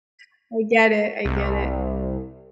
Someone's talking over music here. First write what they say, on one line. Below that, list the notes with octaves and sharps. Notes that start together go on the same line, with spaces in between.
I get it, I get it,
C2